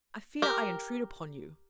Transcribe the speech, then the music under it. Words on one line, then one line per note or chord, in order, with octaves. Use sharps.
I fear I intrude upon you.'
G4 A#4